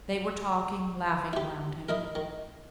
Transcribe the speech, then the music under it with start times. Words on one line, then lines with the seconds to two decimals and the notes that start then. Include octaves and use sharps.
They were talking, laughing around him.
1.33 E4 G4
1.89 D#4 E4 A#4
2.15 D#3